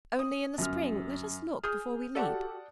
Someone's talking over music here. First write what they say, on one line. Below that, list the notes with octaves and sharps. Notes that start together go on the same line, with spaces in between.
Only, in the spring, let us look before we leap.
D#6
G1 F#2 F6
G#4 D#6 F6 G6
F#4 G4 A4 D5 F#5 A5